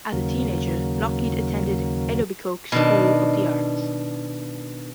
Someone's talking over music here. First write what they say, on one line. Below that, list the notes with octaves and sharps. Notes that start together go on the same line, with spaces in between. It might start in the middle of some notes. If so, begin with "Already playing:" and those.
As a teenager, Lougheed attended Etobicoke School of the Arts.
D#2 C#3 F#3 A#3
B2 D#3 D4